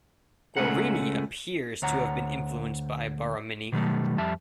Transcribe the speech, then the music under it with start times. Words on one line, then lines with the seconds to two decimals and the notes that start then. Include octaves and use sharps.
Guarini appears to have been influenced by Borromini.
0.57 C#2 G#3 A3 C#4 A#4 F#5
1.82 D2 C#5 F#5 A#5
3.72 B2 D#3 F#3 G3 A3
4.18 F2 G3 E5 A5